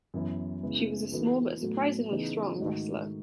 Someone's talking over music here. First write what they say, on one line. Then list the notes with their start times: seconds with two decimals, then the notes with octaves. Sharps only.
She was a small but surprisingly strong wrestler.
0.14 F#2 E3 B3 E4
0.63 C#3 G#3 B3 E4
1.12 E3 B3 D#4 F#4 A4
1.61 A2 F#3 B3 F#4 A4
2.11 C#3 E3 B3 D#4 G#4
2.60 G#2 D#3 A3 D#4 F#4